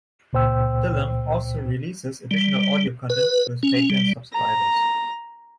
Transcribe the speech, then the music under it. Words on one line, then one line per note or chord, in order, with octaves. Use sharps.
Dillon also releases additional audio content to his Patreon subscribers.
C#2 A#2 C5 G5 E6
G3
B4
C#4
G3
A#5